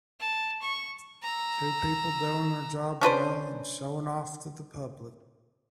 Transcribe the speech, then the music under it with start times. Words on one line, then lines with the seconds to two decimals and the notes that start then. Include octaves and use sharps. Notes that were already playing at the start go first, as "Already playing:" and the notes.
Two people doing their job well and showing off to the public.
0.20 A5
0.62 C#6
1.22 A#5 E6
3.01 C#4 D4 B4 C5